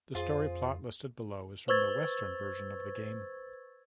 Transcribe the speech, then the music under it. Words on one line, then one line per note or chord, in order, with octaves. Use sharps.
The story plot listed below is from the Western version of the game.
F2 F4 G#4 C5
B4 C5 C#6 E6 G#6 A6